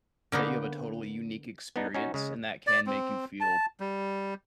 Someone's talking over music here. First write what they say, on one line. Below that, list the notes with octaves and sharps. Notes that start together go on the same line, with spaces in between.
that you have a totally unique experience and that can make you feel
D3 A#3 B3 D#4
B3 D4 D#4
C#4 D#4 F#4
C#3 G#3
D5
C4
A5
G3